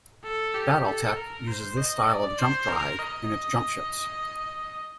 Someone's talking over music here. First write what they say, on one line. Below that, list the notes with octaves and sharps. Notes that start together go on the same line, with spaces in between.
"Battletech" uses this style of jump drive in its jumpships.
A4
G4
A4
A#4
C5
D#5
D5
C5
A#4
D#5